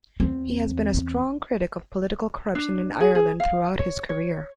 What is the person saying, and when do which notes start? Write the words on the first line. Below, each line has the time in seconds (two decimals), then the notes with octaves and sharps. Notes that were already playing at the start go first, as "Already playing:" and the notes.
He has been a strong critic of political corruption in Ireland throughout his career.
0.20 E2 C4
2.55 D4
3.00 G#4
3.15 G#4
3.40 F5
3.79 C#5
4.09 C#5